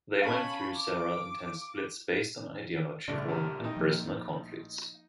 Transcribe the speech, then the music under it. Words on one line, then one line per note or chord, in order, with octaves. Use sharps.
They went through several intense splits based on ideological and personal conflicts.
C#4 F5 A5 B5
D6
A#1 C#3 G3 A3 D4
D3 G4 A#4
D#4 D#5 G5
F3 A#3